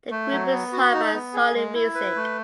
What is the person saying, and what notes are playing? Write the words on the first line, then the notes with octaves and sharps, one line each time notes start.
The group is hired by Sony Music.
A3
F#3
B3
F#4
D#4
B3
G#4
G#3
E4
B4
A3